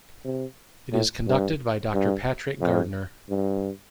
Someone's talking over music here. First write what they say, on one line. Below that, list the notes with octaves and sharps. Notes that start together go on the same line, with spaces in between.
It is conducted by Doctor Patrick Gardner.
C3
A2
G2
G2
F2
G2